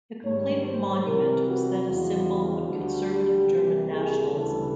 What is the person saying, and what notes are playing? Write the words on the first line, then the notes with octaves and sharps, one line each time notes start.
The completed monument was then a symbol of conservative German nationalism.
G#2 D#3 G3 C#5
C5
C3 E3 G3 C4 A#4
F#4
E2 C#3 F3 G#3
D2 D3 G3 F#4
G4
C2 C3 E3 G3 A#3
G#4
D2 C#3 E3 G3 A4